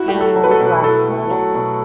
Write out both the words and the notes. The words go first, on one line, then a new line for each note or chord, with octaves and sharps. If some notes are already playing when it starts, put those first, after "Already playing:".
and just laugh about it.
Already playing: E4 F#4
A3 G4
A4
F#3
B4
A4
B2
E4 A4
A3
F#3
B2